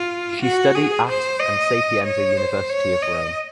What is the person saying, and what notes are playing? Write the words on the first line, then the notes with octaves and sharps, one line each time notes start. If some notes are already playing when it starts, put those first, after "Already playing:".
She studied at and Sapienza University of Rome.
Already playing: F4
F#4
G#4
C5
D#5
C#5
C5
C#5
D#5